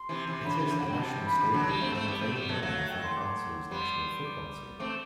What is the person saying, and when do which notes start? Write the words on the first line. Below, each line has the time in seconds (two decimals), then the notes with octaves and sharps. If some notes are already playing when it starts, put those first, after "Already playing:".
It is the national stadium and the home of Vanuatu's national football team.
Already playing: C6
0.09 C3 E3
0.27 C3 E3
0.45 D3 F#3 B5
0.59 C3 E3
0.72 D3 F#3
0.80 F#5
0.86 D3 F#3 G5
0.99 C3 E3 A5
1.27 B5
1.37 D3
1.46 E3
1.53 D3 F#3 A5
1.67 G3 B3
1.80 A3 C4
1.95 A3 C4
2.08 G3 B3
2.21 A3 C4
2.35 G3 B3
2.49 F#3 A3
2.62 F#3 A3 F#5
2.76 F#5
2.90 G5
3.04 C6
3.16 D6
3.71 G3 B3 C6
4.25 D6
4.79 A3 C4 D6